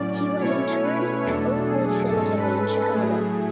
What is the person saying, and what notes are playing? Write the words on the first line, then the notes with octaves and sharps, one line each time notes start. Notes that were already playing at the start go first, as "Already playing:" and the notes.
He was interred at Oak Woods Cemetery in Chicago.
Already playing: A2 F#3 C#4 D5
B2 A3 C#4 E4 C#5
B4
E2 B2 F#3 A3 D4 A4
G#4
G#2 G#3 C#4 A4
B4
A4
A2 F#3 A3 G#4